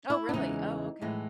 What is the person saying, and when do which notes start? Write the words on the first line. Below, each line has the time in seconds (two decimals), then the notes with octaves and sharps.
Oh, really? Oh, okay.
0.10 E4
0.29 D4
0.33 E2 C#3 E3 G#3 D#4
1.01 A2 E3 G#3